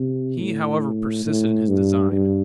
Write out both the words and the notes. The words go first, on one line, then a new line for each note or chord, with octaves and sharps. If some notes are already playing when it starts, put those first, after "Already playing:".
He, however, persisted in his design.
Already playing: C3
A2
A2
G2
G2